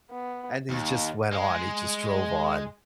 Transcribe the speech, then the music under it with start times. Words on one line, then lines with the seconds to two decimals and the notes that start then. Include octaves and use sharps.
And he just went on. He just drove on.
0.11 B3
0.70 D#2
1.32 G#3